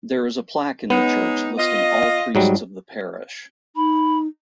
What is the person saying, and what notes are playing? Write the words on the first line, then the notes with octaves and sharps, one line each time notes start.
There is a plaque in the church listing all priests of the parish.
G#3 B3 C#4 D#4
F4 D#5
G#2 F#3 G3
D#4 B5